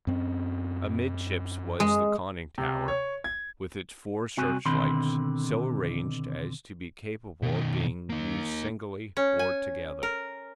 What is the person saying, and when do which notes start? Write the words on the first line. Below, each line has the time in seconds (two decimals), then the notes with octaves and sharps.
Amidships was the conning-tower, with its four searchlights, so arranged as to be capable of being used singly or together.
0.07 F#2 C4
1.80 G#3
2.58 C3
2.88 C#5
3.24 G#6
4.37 C2 C4 F#4 G#5
4.66 B2 D3 D#3 C4 B5 C6
7.42 B2 D#3
8.10 A#3 D#4
9.17 C#4
9.39 G#5
10.03 A#4